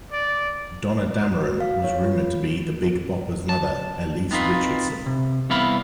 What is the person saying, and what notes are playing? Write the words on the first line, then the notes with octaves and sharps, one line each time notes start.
Donna Dameron was rumoured to be The Big Bopper's mother, Elsie Richardson.
D5
F#4
F5
C#5
F4
A5
B3 C4 D#4 F4 B4
C3
C2 E3 B3 E5 F5 B5